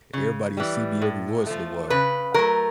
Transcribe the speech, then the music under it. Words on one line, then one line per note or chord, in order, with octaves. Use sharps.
everybody will see me every once in a while.
C#3
E3 G3
A2
F3 A3
C#3 B4
F#3 A3 A#4